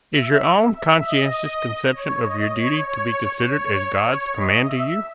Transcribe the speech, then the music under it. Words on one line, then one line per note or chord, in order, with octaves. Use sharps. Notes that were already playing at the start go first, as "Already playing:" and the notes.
Is your own conscientious conception of your duty to be considered as God's command to you?
E5
E5
D#5
C#5
D#5
C#5
C#5
C#5
C#5
D#5
E5